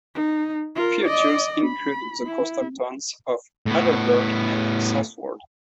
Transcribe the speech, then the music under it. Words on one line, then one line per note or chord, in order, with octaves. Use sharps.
Features include the coastal towns of Aldeburgh and Southwold.
D#4
F4 A#4
D5 D#5
B5
E4
A2 B3